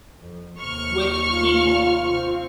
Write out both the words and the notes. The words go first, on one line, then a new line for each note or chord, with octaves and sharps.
with people,
F2
D#2 C3 C#6 F6
F4
C4